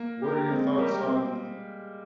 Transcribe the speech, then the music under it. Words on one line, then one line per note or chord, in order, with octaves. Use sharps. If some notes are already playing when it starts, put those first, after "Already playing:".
What are your thoughts on
Already playing: A#3
G4 A#4
G#3 C4
G3 G4 A#4
C4